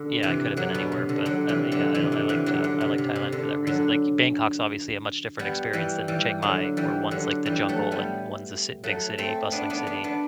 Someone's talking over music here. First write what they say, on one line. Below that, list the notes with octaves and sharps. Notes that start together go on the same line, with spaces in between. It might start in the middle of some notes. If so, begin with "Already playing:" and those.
yeah, I coulda been anywhere, but uh uh yeah, I'll I liked, um I liked Thailand for that reason, like, Bangkok's obviously a much different experience than Chiang Mai, where one's, like, the jungle and one's a cit big city bustling city.
Already playing: D3
C3 E3
D3 F#3
B2
C3
D3
D3 F#3
C3 E3
D3 F#3
C3 E3
D3
C3 E3
D3 F#3
D3
C3
C3
C3
D3
D3 F#3
G3 B3
E3 G3
E3 G3
D3 F#3
E3 G3
D3 F#3
E3 G3
F#3 A3
G3 B3
F#3 A3
A3 C4
B3 D4
B3 D4
B3 D4
B3 D4